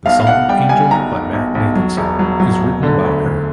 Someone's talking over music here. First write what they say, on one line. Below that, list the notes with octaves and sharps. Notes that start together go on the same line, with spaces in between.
The song "Angel" by Matt Nathanson is written about her.
B1 F5
F5
B1 F#5
G3 G5
G3 G#5
B1 A#5
B1
B1
B1
F#3
E1
F#3
F#3
E1
D3
D2
D2